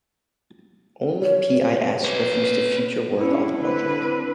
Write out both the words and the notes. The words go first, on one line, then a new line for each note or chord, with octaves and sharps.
Only PiS refused to future work on the project.
C#5
B4 C#5
C#4 D4 E4
D3 C4 B4